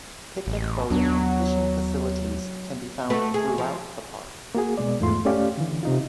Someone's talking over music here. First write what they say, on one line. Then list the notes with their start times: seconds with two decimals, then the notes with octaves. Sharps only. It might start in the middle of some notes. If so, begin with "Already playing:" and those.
Picnic, boating, and fishing facilities can be found throughout the park.
0.47 A1
0.90 D#2 F#3 B3 D4
3.10 A3 F#4 B4
3.34 G#4
3.58 F3
4.55 A#3 F#4 G#4
4.78 B2 G#3 D5
5.00 E2 G#2 A3 F4 C6
5.25 A3 C#4 G4 D5 F5
5.58 D3 E3
5.83 C3 D#4 F4